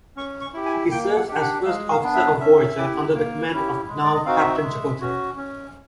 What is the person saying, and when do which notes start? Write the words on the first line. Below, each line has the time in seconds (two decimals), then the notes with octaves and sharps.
He serves as First Officer of "Voyager", under the command of now-Captain Chakotay.
0.16 C#4 C#6
0.41 C#6
0.54 E4 G4
0.66 G#5
0.91 A#3 G5
1.16 F#5
1.28 D4 G4
1.41 F#5
1.65 G#3 F5
1.91 F5
2.02 B3 D4
2.15 E5
2.40 C#4 E5
2.77 E4 G4
3.14 A#3
3.52 C#4 E4 G4
3.88 G#3
4.04 D5
4.14 D#5
4.25 C4 D#4 F#4 F5
4.38 E5
4.62 G#3
5.01 C#4 F#4
5.37 C#4